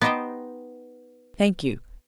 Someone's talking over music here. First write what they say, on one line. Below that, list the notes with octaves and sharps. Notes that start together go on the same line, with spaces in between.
Thank you.
B3 D#4 G4 C5 D#5 G5